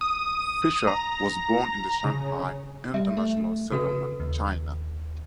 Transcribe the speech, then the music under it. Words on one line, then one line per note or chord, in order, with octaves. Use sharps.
Fischer was born in the Shanghai International Settlement, China.
D#6
A#5
C#3
G3 E5
A3
C#3 F#4 A4 B4
D#2